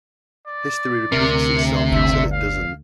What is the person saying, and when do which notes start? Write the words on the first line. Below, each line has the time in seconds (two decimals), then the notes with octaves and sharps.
History repeats itself until it doesn't.
0.47 D5
1.12 D2 C3 A#4
1.92 G1 E5
2.32 F5